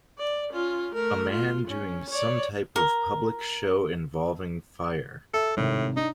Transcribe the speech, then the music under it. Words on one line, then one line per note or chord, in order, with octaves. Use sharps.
A man doing some type of public show involving fire.
D5
C#4 F4
A3 A#4
F4
C#4
C#5 D5
A#4
A4 E5
G#1 A2 C3 D#3
D4 D#4